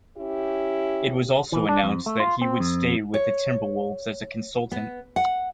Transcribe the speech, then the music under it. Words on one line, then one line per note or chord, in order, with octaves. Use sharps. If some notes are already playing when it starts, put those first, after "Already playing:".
It was also announced that he would stay with the Timberwolves as a consultant.
C#4 E4 G4
E3
D4
F2
A3
F4
C4
F2
C#5
B3
F#5